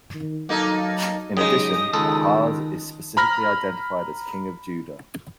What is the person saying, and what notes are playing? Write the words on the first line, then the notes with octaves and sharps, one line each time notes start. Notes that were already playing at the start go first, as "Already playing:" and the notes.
In addition, Ahaz is specifically identified as king of Judah.
D#3
F#3 A#3 D#4 A4
C#3 F#3 G#3 D#4 G4 D#6
C#2 D#3 A4
A#5 B5 F6 A#6